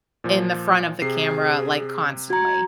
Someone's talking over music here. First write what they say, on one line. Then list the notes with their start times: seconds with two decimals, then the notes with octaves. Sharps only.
in the front of the camera, like, constantly,
0.24 A#2 F3
1.02 C3 G#4 C7
2.30 F#4 A#5 G#6